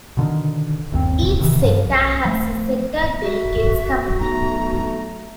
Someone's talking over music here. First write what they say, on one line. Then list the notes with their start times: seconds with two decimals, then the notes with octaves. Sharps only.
Each sector has a sector delegates’ committee.
0.17 B2 D3 D#3
0.92 G1 D#2 B2 C4
1.40 C3 D#3 E3
1.62 G2 F3
1.86 B1
2.25 F3 A3
3.21 F#4 E5
4.20 B1 A3 A#5